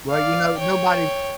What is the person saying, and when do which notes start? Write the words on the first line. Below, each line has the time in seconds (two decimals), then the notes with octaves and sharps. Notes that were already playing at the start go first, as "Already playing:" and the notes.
Well, you know, nobody
0.10 D5 F5
0.58 C#5 G5